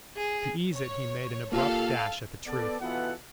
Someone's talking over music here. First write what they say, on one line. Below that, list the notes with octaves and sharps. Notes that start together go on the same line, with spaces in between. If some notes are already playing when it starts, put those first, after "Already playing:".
To ease it he made an abrupt dash at the truth.
G#4
C#5
A#3 F4 G4 A4 F5
B3 A4 D5
B2 E3 B3 F4 A4 F#5